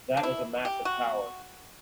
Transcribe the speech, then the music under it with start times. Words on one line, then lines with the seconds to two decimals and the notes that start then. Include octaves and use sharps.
That is a massive tower!.
0.17 D4
0.23 E4
0.65 G4
0.85 F#4